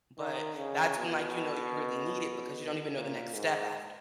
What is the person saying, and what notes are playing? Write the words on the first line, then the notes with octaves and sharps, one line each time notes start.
but that's when, like, you know, you really need it because you don't even know the next step after.
D#3
C#3
B2
A#2
G#2